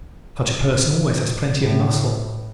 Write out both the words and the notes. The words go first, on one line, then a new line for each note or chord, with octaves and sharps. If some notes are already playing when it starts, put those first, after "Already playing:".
Such a person always has plenty of muscle.
A2